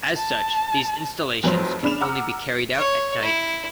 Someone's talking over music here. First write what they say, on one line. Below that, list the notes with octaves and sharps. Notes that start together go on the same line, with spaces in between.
As such these installations could only be carried out at night.
A5
F1 F2 F3 F#3 C6
C#3 D4 B5 F6 E7 F7
F#5 A#5 D6 E6 F6
C#5
E4